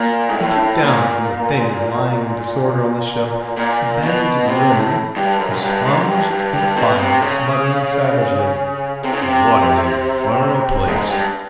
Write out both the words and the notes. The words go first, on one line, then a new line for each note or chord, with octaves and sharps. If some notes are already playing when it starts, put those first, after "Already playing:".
He took down from the things lying in disorder on the shelf a bandage of linen, a sponge and a phial, muttering savagely, "What an infernal place!"
Already playing: A#2
G#2
A2
A#2
A#2
B2
C3
A2
G2
F#2
F#2
G2
G#2
F#2
G2
G2
G2
B2
C3
C#3
C3
C#3
C3
G#2
G2